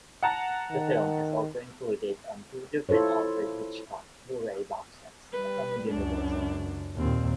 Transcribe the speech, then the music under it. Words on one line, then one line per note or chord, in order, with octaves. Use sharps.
The film is also included on two different Alfred Hitchcock Blu-ray boxsets from Universal.
F#5 A5 A#5
D#3
E4 F4 A4 C5 C#5
G3 B4
C#2 F#2 D4
D#2 A#2 C4